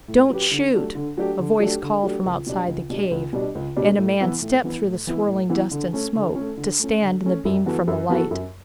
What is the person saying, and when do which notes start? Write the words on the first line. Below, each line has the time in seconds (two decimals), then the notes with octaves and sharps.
"Don't shoot," a voice called from outside the cave, and a man stepped through the swirling dust and smoke to stand in the beam from the light.
0.08 A2
0.30 F#3 C#4 G4 B4
0.51 D3
0.74 F#3 A3 D4 G4
0.95 D3
1.17 F#3 A3 D4 G4
1.39 D3
1.60 F#3 A3 D4 G4
1.82 D3
2.03 F#3 A3 D4 G4
2.26 C#2
2.47 B2 G3 D4
2.68 C#2
2.90 B2 G3 D4
3.11 C#2
3.33 B2 G3 D4
3.55 C#2
3.76 B2 G3 D4
3.98 A2
4.20 E3 B3 E4
4.41 A2
4.64 E3 B3 E4
4.84 A2
5.07 E3 B3 E4
5.28 A2
5.49 E3 B3 E4
5.71 D3
5.93 A3 C#4
6.15 D3
6.36 A3 C#4
6.57 D3
6.79 A3 C#4
7.02 D3
7.23 A3 C#4
7.45 F#2
7.66 E3 B3 F#4 A4
7.88 F#2
8.09 E3 B3 F#4 A4
8.31 F#2